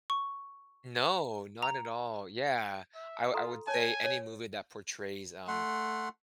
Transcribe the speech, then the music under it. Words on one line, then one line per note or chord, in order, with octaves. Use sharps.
No. Not at all. Yeah. I wou I would say any movie that portrays, um
C#6
A#5
E5
F4 A4 A#5 C6
C#5 G#5 A5
C#5
A3 F#5 C6